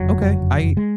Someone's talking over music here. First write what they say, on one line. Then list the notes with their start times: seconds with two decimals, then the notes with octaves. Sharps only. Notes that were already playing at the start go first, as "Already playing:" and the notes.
okay. I
Already playing: F#1 F2 D3 F#3
0.77 G#3